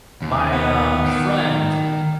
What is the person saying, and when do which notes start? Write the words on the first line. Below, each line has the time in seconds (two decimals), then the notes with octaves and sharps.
my, uh, friend,
0.22 D#2
0.52 B3
1.06 D#3